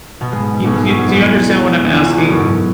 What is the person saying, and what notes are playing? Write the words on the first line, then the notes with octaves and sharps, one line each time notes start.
You do you do you understand what I'm asking?
B2 B3
G#2 G#3
G#2
G#2
B1 B2
G#2 G#3
F#2 F#3
F#2 F#3
E2 E3
E2 E3
C#2 C#3
B1 B2
F#2
G#2